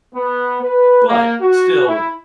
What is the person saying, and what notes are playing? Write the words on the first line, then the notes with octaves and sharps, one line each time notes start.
but still,
B3
B4
A#3
F#4
E4